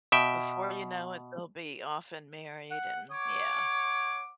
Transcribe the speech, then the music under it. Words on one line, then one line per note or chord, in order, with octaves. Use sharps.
Before you know it, they'll be off and married and yeah.
B2 E5 G5
F#5
C#5 F#5 D6